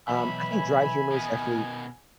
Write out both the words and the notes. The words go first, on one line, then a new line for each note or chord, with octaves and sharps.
um, I think dry humor is definitely
B1 E3 E5 B5
G#5
B2 D#3